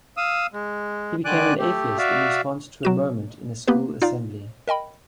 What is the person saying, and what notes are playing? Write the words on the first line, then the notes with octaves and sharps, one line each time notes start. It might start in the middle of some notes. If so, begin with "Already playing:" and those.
He became an atheist in response to a moment in a school assembly.
F5 D#6 E6
G#3
D3 D#3 D5 G#5 D6 F#6
A3 G4
F#4 D5 E5 F5
F#3 F#4 E7
A#3 B3 G4 B4
D#4 F4 D5 F5
A#4 D#5 G5 B5